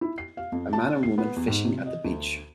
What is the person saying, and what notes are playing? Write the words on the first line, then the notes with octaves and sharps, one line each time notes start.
A man and woman fishing at the beach.
E4
C7
F5
F2
A5
C7
B3
E2
G#2
C3
D#5
D2